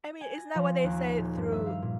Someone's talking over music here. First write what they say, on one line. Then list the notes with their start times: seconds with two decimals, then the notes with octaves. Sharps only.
I mean, isn't that what they say through
0.21 G#5
0.38 A#6
0.55 F3
0.84 D#2
1.18 D#1
1.37 G2
1.52 E5
1.66 F5
1.82 A#2